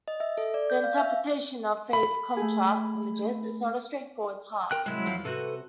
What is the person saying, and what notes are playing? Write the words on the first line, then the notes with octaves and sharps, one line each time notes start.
The interpretation of phase-contrast images is not a straightforward task.
D#5
E5
A4
D5
G6
F5
E5
F5
B5
A3 G#4
A#4 G5 F#6
C3 F#3 G#3 E4
E2 F3 F5
C3 F#4 A4 B4